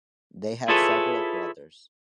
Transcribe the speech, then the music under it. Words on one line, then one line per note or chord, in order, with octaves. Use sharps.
They had several brothers.
E4 F4 G#4 A4 B4 C#5